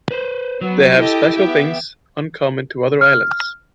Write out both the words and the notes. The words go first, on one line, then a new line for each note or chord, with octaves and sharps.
They have special things uncommon to other islands.
B4 C5
F#3 B3
E4 G4 A4 D#5
B3 G4 E5
F6